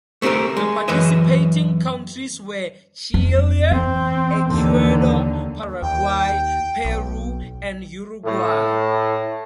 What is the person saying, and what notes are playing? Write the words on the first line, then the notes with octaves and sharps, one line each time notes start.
The participating countries were Chile, Ecuador, Paraguay, Peru, and Uruguay.
A3 C4 F#4 G4 A#4
G#3
F#2 E3 B4 D#5 E5
F2
E3 C4
D#2 D3
D#2 G5
B1
A2